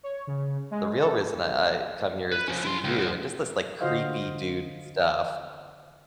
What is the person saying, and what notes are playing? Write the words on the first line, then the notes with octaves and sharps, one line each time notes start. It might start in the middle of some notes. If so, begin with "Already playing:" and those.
the real reason I I come here is to see you," and just this, like, creepy dude stuff.
C#5
C#3
G#3
A4
B4
F3 C#4
E4 C6
C#2
F#2
D3 F4 F#4 C5 D#5 F5